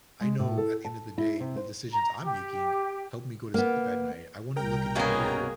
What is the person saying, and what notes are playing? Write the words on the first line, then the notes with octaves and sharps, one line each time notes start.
I know at the end of the day, the decisions I'm making help me go to sleep at night. I wanna look in the mirror,
G#3
A2
A4
A5
E4
C3
C5
A#5
G4
A#3 B3
C2 G3 A#4 G5 A#5
B2 A#3 C#4 F#4 G#4